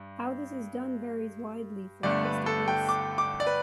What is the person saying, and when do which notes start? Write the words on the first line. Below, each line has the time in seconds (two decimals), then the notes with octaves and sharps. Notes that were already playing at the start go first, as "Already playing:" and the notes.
How this is done varies widely from place to place.
Already playing: G2
2.03 G1 G2 D3 A3 D5
2.25 B4
2.46 A4
2.68 G5
2.89 D6
3.18 D6
3.40 D5
3.47 B4